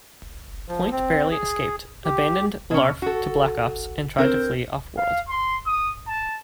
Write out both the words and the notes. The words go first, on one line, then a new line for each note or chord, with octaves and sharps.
Point barely escaped, abandoned Larf to Black Ops, and tried to flee offworld.
F3
C4
G#4
G4
B2 C#4
F#4 A4
C4 A#4 C5
F5
C6
D#6
A5